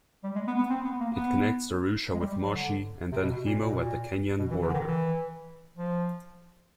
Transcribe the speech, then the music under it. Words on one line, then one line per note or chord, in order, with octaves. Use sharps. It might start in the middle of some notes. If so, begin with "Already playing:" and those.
It connects Arusha with Moshi and then Himo at the Kenyan border.
G3
G#3
B3
B3
C4
B3
A#3
B3
G#3
G3
G3
F#3
D3
C3
B2
A#2
A#2
B2
A#2
B2
E3
E3
D3
D#3
E3
F3